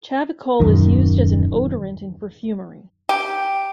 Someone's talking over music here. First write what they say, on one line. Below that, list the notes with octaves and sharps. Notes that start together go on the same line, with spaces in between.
Chavicol is used as an odorant in perfumery.
D#1 B1 F#2 D#3
G4